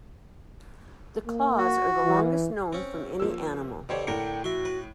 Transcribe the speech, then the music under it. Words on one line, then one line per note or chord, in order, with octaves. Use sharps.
The claws are the longest known from any animal.
A#3
F#4
E3
C4 C#4
F3 A#3 E6
B2 D3 G4 C5 C#5
A2 D3 A#4 G5 C#7
F#4 E5 C6
B4